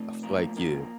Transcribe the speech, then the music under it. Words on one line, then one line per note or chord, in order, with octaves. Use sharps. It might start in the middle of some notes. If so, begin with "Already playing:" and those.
I feel like yeah.
Already playing: C3 A3
F3 A#3 A#4
D3 A#3 A#4